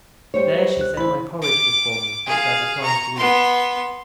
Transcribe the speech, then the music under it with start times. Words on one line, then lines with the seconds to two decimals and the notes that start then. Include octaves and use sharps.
There she set my porridge before me, which I declined to eat.
0.34 G3 C5 C#5
0.55 B4 D#5
0.77 C#2 F#6
0.97 E3 C5 B5
1.42 D6
2.26 G#4 F5
2.82 A#5 C#6
3.16 B3 C6